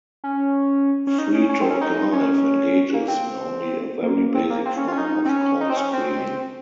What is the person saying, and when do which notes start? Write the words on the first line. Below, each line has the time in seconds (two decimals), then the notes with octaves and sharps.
"Free Talk Live" engages in only a very basic form of call screening.
0.24 C#4
1.07 C#4
1.18 D#4
1.34 C#4
1.49 C#4
1.60 C4
1.70 C#4
1.81 D#4
2.13 C#4
2.94 A#3
3.08 C4
4.03 A#3
4.35 C4
4.50 A#3
4.66 C4
4.77 C#4
4.88 F4
4.92 C#4
4.98 D#4
5.25 C4
5.29 C#4
5.61 D#4
5.70 C4
5.77 C#4
5.93 C4